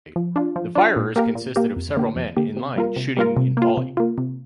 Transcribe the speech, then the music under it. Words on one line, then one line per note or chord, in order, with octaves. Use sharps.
The firers consisted of several men in line shooting in volley.
F3
D4 F4
F3
D4 F4
A#2
A#3 G4 A#4
A#2
A#3 G4 A#4
F2
D3 A#3 G4
F2
D3 A#3 G4
C3
G3 A#3 F4 A#4
C3
G3 A#3 F4 A#4
C3
A#3 F4
C3
A#3 F4
C3